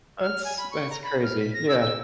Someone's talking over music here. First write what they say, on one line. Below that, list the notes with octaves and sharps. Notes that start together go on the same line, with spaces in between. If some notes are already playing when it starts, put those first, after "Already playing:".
That's that's crazy, yeah.
F6
G#5
B5
C#6
A#5
B5
F6
B6
A#6
E6
E6